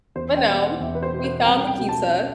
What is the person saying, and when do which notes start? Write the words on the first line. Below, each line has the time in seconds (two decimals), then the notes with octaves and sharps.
But no, we found the pizza,
0.15 E2 C5
0.37 G5
0.48 B2
0.59 F#5
0.80 E2 E5
0.95 B4
1.03 C5
1.13 B2
1.24 C5
1.45 C2 G5
1.67 G5
1.78 B2
1.89 A5